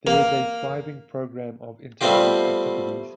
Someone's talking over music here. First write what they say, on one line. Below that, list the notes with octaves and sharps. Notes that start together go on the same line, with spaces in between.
There is a thriving programme of inter-House activities.
A#3
G3 A3 B3 C4 F4 G4